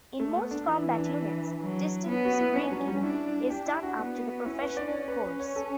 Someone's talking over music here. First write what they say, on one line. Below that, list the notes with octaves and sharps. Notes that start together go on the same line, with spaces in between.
In most combat units, distance-breaking is done after the professional course.
A3
B3
D4
E3 E4
E4
D4
F#3
B3 C#4
F#4
E4
C#4 D4
F#3
G3
D4 E4
D4 G4
E4
F#4
B3
C#4 E4
B4
D5
C#5
B4
B4
C#4 C#5
A4